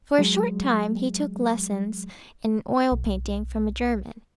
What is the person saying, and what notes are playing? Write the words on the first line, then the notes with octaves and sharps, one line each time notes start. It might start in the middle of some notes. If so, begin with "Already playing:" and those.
For a short time he took lessons in oil painting from a German.
F#3 G#3
B1